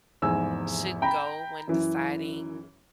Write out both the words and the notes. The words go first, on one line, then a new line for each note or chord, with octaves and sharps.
should go when deciding
F1 E2 G#2 G#5 E6
G5 A#5 B5
F#2 E3